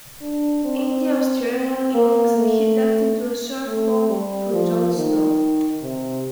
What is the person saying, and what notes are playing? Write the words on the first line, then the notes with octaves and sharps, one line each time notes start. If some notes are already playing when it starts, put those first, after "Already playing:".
In the Australian innings he ducked into a short ball from John Snow.
D4
C4
C4
A#3
A3
A3
G3
F3
D#3
C3